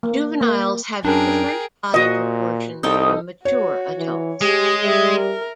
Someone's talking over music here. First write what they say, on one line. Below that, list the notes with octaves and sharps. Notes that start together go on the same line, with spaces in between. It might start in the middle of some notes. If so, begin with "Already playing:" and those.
Juveniles have different body proportions from mature adults.
A#3
A#3
F#2 D4 G#4 A#4 G5
A#2 F#4 C5 D#5
C2 D#4 A4 G5 D#6
F#4 C#5
E3
G#3 G4 G#4
G3 E5
A#4